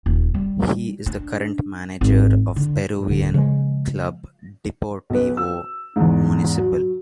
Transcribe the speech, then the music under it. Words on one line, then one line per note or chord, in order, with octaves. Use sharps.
He is the current manager of Peruvian club Deportivo Municipal.
D#1
G3
D4
G#1
D3
D1 G#2 D3
C#3 F3 G3 G#3
B1 B4
E6
E2 G#2
F#3